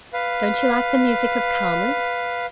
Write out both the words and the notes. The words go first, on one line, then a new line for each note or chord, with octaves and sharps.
Don't you like the music of CARMEN?'
B4 F5